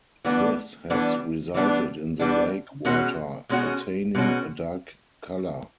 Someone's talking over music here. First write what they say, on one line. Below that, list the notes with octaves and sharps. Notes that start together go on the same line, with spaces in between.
This has resulted in the lake water attaining a dark colour.
E3 G3 B3 D4
E3 G3 B3 D4
E3 G3 B3 D4
E3 G3 B3 D4
B2 G#3 C#4 F#4
B2 G#3 C#4 F#4
B2 G#3 C#4 F#4